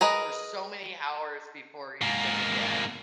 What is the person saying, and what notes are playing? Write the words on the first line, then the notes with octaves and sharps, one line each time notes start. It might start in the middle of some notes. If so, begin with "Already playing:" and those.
or so many hours before you're gonna get
G#4 A#4 B4 D#5
G#2 A#3